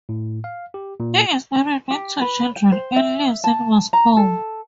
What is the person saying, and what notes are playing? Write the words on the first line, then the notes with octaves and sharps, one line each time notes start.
He is married with two children, and lives in Moscow.
A2
F5
G4
A#2
G4
B4
G5
C5
E5
A5
A#5
A4